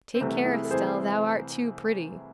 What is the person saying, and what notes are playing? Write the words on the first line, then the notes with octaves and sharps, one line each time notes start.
Take care, Estelle, thou art too pretty!
C4
C2 C3 E3 A3
E4 G#4
A4
C2 C3 E3 G#4 C5